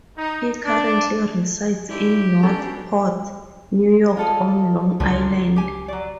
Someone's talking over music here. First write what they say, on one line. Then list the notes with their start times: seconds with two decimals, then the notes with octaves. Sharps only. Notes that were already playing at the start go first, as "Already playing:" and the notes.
He currently resides in Northport, New York on Long Island.
0.16 D#4
0.64 D4
1.89 G#2 D4 E4 G4
2.43 B2 A3 C#4 D4 A4
4.17 F4 A4 D#5
5.00 C#2 D3 F3 F#3
5.56 G4 G#5
5.88 F#3 D5